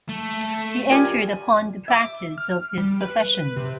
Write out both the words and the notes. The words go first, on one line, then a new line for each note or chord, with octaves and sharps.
He entered upon the practice of his profession.
A3
F4 G4 A#4 D5 G#5
E5 D6
F6
G3
B4
B4
C3